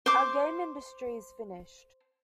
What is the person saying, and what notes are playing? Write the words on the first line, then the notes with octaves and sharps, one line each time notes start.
Our game industry is finished.
C5 D6